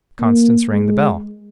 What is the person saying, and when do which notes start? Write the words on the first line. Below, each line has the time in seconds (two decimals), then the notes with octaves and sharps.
Constance rang the bell.
0.20 A#3
0.72 G#3